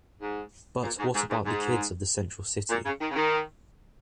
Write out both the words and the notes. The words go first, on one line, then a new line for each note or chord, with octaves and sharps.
But what about the kids of the central city?...
G#2
A#2
G#2
G#2
G#2
G#2
A#2
C#3
D#3
C#3
D#3